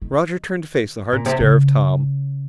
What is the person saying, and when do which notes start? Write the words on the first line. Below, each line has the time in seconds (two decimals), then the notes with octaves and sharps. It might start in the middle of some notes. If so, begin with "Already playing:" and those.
Roger turned to face the hard stare of Tom.
0.02 D#3
1.12 A#2
1.26 C3
1.40 C#3